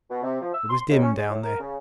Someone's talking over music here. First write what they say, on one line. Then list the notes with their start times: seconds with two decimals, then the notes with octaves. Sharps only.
It was dim down there.
0.10 B2
0.23 C3
0.41 F3
0.53 E6
0.69 C6
0.90 D#2
1.02 C#4
1.17 G#3
1.29 A2
1.44 A#4
1.60 C#3